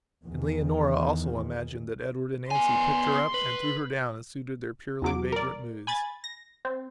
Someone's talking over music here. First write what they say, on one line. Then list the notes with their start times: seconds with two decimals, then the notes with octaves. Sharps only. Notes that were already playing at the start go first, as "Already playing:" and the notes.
And Leonora also imagined that Edward and Nancy picked her up and threw her down as suited their purely vagrant moods.
0.25 E2 D#3
2.51 B3 G#5 C6
3.34 B4
5.02 E2 F#3 D6
5.32 A#4 D5
5.87 G#5 B5 G#6 A6
6.24 A#6
6.65 C4